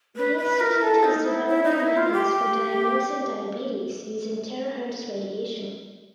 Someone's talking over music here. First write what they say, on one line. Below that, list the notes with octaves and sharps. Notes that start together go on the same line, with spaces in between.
The institute is developing methods for diagnosing diabetes using terahertz radiation.
B4
B4
A#4
A4
D#4
E4
E4
D#4
E4
F4
G4